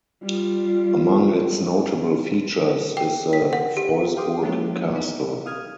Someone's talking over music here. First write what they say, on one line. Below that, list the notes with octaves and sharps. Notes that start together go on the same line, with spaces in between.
Among its notable features is the Freusburg castle.
G3 F4
G5
B6
F#5
G4
G4 F5 G5 C6 D6 D#6
F3 G#3 A#3 C#4 E4 F#4
D#4
F5 D#6 F6 G#6